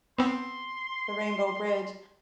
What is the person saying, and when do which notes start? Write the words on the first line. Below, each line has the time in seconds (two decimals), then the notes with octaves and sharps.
the Rainbow Bridge.
0.18 B3 C4 C6